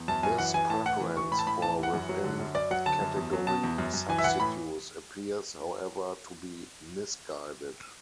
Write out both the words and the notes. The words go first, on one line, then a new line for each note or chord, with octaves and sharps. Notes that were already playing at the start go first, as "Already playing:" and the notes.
This preference for within-category substitutes appears, however, to be misguided.
Already playing: E2
F#2 A5
F#2 G#5
E3 F#5
E3 G#5
A2 A5
A2 F#5
E3
E3 C#6
A2 B5
A5
A2 B5
E3 A5
E3
F#5
F#2
F#3
D3
F#2
F#2 D5
F#3 F#5
D3 A5
F#2
E2
F#3
B2 A5
E2
F#2
F#2
E3 G#5
E5
E3 F#5
A2 B5